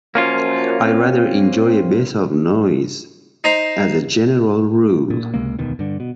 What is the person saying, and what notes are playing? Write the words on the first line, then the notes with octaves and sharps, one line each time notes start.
I rather enjoy a bit of noise, as a general rule.
F#2 F3 A#3 C#4 F4
C4
D#4 C5 A#5
A#2
C#2 C3 G#3 A#3
E1 D2 B2 D#3
G2 D3
B2